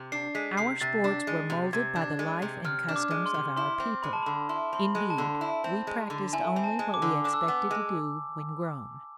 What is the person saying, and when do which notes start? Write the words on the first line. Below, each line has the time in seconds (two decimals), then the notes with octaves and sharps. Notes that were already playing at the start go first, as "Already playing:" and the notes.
Our sports were molded by the life and customs of our people; indeed, we practiced only what we expected to do when grown.
Already playing: C3
0.12 D4 C7
0.35 G#3 B6
0.57 C3 C7
0.81 C3 A6
1.04 D4
1.27 G#3
1.50 C3
1.73 C3 G#6
1.96 D4
2.19 G#3
2.42 C3
2.64 C3 F6
2.88 D4
2.96 D6
3.11 G#3
3.26 C6
3.34 C3
3.56 E4 C6
3.80 C4
4.03 G#3 B5
4.13 A5
4.23 D3 B5
4.49 E4 C6
4.73 C4 C6
4.80 B5
4.95 G#3
5.10 A5
5.18 D3
5.41 E4 A5
5.64 C4
5.87 G#3
6.10 D3
6.33 E4 G#5
6.56 C4
6.64 A5
6.79 G#3
6.94 D6
7.02 D3
7.24 D4 D6
7.34 E6
7.43 D6
7.48 B3
7.71 G#3